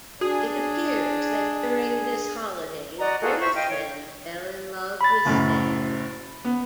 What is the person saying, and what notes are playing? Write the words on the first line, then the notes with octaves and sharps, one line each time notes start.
It appears that during this holiday, both men fell in love with Stanley.
D4 F#4 G#4
F#4 D5 D#5 A#5
F4 F#4 G#4 A4
C5 E5 C#6
D#5 F5 G5
C#5
B5 A6
F#1 F#2 A2
B3